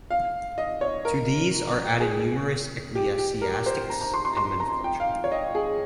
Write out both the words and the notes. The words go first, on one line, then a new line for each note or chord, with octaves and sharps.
To these are added numerous ecclesiastics and men of culture.
F5
D#5
C#5
A#4
G#4
G4
G4
A#4
C5
A#5
A#5
C6
C6
C6
A#5
G5
F5
C#5
D#5
G#4